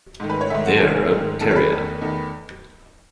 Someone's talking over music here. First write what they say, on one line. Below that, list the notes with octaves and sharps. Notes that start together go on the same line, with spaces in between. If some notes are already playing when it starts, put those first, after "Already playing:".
They're a Terrier.
G#2 D#3 A3
B4
C#5
G#2 D#3 A3 E5
F#5
A4
G#2 D#3 A3 G#4
G#4
G#2 D#3 A3
E2 D#3 A3 A4
C#5
B4
E2 D#3 A3
E2 D#3 A3